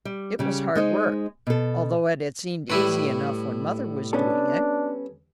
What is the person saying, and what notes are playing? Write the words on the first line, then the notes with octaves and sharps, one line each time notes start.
It was hard work, although it had seemed easy enough when mother was doing it.
G3
C#3 G3
G#3 D#4 C5
B2 A4
A2 G3 E4 B4
B3 C#4 D4 A4